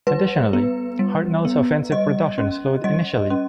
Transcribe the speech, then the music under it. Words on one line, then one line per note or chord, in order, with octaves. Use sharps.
Additionally, Hartnell's offensive production slowed initially.
G3 B4
B3
G3
B3
G3 D#5
C#4
G3 D#5
C#4